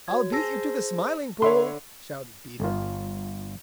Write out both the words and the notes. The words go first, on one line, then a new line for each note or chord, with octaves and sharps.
"I'll beat you to the Smiling Pool!" shouted Peter.
F#4 C#5 G#6
G#4 C5 A5 E6 A#6
D3 C#5 E5 B5 C6
G1 F4